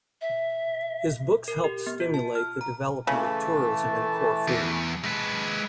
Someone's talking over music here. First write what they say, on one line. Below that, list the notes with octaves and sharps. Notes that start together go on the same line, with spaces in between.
His books helped stimulate the development of tourism in Corfu.
E5
A#4
G4
B3
F4
A5
F6
A#5
C#3 E3 A3 A5
E2
G#3 B4 A5